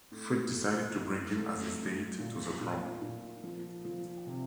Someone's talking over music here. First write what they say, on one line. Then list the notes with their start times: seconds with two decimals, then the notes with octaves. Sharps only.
Fricke decided to bring him as his date to the prom.
0.12 A2
0.53 A3
0.95 A1
1.36 A3
1.77 F#3
2.19 A#2
2.61 A#2
3.02 A#2
3.44 F3
3.85 F3
4.27 C3